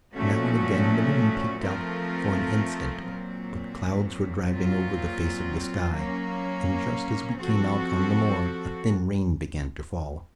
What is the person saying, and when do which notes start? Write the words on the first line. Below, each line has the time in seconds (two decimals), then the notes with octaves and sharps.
Now and again the moon peeped out for an instant, but clouds were driving over the face of the sky, and just as we came out on the moor a thin rain began to fall.
0.14 A#2 F3 A3 C#4 F#4
1.59 F3 A3 C4 F4 A#4
3.04 A#2 F#3 C4
4.48 A#2 F#3 C4 F4
5.93 F#3 A#3 C#4
7.37 F3 C4 F#4 A4